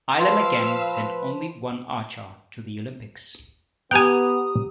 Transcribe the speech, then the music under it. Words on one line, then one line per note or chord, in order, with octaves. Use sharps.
Ireland again sent only one archer to the Olympics.
F3 B4 F5 C6 E6
B3 G4 G5 G#5 A#5 D#6 F#6